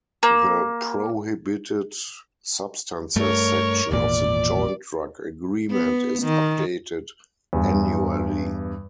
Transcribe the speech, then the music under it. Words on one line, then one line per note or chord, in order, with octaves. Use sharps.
The prohibited substances section of the Joint Drug Agreement is updated annually.
A#3
G2 A3 A#4 C#5
G#1 E2 A#2 D5
B3
D#3
E2 G2